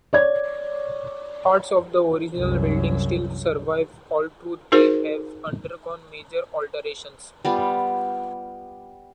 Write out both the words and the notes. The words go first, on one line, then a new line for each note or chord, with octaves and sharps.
Parts of the original building still survive although they have undergone major alterations.
C#5 D5 G#6
C2 F#2
D#4 F#4 G#4 A#4 C5
G3 B3 F4